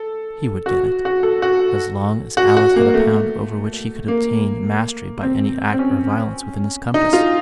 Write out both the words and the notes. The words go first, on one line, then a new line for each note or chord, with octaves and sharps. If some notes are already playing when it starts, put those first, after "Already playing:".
He would get it;--as long as Alice had a pound over which he could obtain mastery by any act or violence within his compass.
Already playing: A4
F#4
F#4
A4
F#4
F#4
F#4
A#3
A3
A#3
C4
C4
C#4
D#4
F4